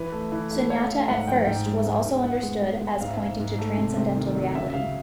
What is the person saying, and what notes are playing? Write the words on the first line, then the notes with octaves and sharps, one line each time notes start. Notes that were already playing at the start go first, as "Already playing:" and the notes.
Sunyata at first was also understood as pointing to transcendental reality.
Already playing: E3 B4
A3
E3
A3
A3 C#5
A3 F5
G#2 F#5
F3 G5
G#2 G5
G#3
G#2
G#2
B3 F#5
G#3
G#3
G#3
G#2 F5
E5
G#2 F5
G#2
A3
C3
C3
D#3
F#3
C#3 E5
E5
C#3 F5